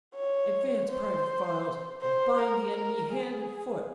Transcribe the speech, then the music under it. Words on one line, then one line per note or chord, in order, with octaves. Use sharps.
"Advance, Private Files, and bind the enemy hand and foot!"
C#5
C5
C5
A#4
A#4
G#4